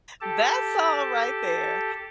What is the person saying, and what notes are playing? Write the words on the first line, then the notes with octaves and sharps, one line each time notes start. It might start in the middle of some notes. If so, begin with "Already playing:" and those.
That song right there
G4 A4 A5